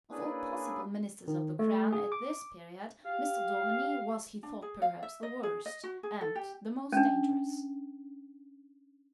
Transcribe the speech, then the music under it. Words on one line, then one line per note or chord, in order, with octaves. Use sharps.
Of all possible Ministers of the Crown at this period, Mr. Daubeny was he thought perhaps the worst, and the most dangerous.
A#3 C#4 D4 E4 G#4 B4
D#3
A3
G#4
D6
G4 F5
D4
G#4
F5
E5
D#5
G#4
D#5
F#4
G#4
A4
G4
C#4 D4